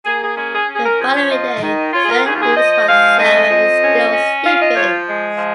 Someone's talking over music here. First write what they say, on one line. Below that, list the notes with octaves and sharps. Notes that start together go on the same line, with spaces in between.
The following day Stella leaves while Sarah is still sleeping.
A#3 G#4
G#4
C#4 G#4
G#4
C#4
G#4
A#4
F3 G#4
C#5
F4 D#5
D#3
F4 C#5
G#4
A#4
D#2 G#4
F4
G#4
F3 D#5
G#3 F5
F2 D#5
F2
C#4
C#4
F4 F5
D#5
F3 C#5
G#3
F3